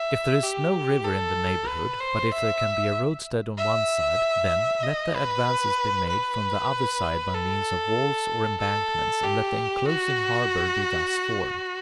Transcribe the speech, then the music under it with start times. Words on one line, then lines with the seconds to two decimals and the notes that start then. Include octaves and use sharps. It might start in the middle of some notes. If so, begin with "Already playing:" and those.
If there is no river in the neighbourhood, but if there can be a roadstead on one side, then, let the advances be made from the other side by means of walls or embankments, and let the enclosing harbour be thus formed.
Already playing: E5
0.42 G4
1.05 A4
1.68 B4
2.00 C5
2.31 E5
3.57 E5
4.83 D#5
5.15 B4
6.08 B4
7.34 A4
8.60 A4
9.23 G4
9.86 F#4